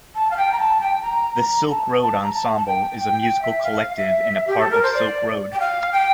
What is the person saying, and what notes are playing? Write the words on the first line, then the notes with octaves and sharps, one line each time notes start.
The Silk Road Ensemble is a musical collective and a part of Silkroad.
A5
F5
G5
A#5
A5
G5
A#5
A#5
A5
A5
A#5
A5
A5
G5
G5
G5
E5
F5
E5
G4
A4
A#4
C5
D5
G5
F5
G5